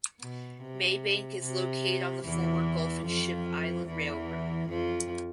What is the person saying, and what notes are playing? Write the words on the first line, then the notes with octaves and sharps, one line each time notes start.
Maybank is located on the former Gulf and Ship Island Railroad.
B2
C3
C3
E2 E3
F2 F3
E2 E3
F2 F3